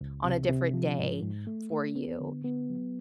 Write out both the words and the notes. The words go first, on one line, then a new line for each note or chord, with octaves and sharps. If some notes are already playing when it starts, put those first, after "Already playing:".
on a different day for you."
C#2
C3
C3
F3
G#2
G#2
A3
A3
B3
D3
B3
F#3